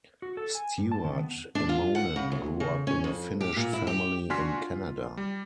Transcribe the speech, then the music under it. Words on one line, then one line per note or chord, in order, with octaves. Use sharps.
Stuart Immonen grew up in a Finnish family in Canada.
F#4
A4
G#5
G2
A5
D#3
B3
D4
F4
F#5
C#3
D2
C#3
C#4
F2
G4
A#2
E4
G4
D4 F#4 G#5 C6 F6 B6
F4
G3